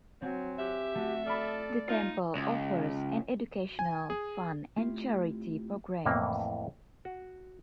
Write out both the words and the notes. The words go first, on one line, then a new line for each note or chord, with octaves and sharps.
The temple offers an educational fund and charity programs.
F#3 C4 G#5
G4 E5 F#6
A3 F#4
A4 D5 B5 D6 F6
D#4 F4
C#2
G#5
G#4
A3 C4 E4 F4 G4
F2 A2 E3 A#3
F#4